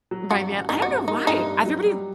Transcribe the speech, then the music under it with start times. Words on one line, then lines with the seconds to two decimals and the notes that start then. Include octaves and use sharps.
by then I don't know why, everybody
0.11 F#3
0.31 G2 F#4
0.50 A1
0.69 G2 D#4
0.82 F#4
0.89 G2
1.08 A#3 D#4
1.27 G2 D#4
1.46 G2
1.66 F#3
1.85 G3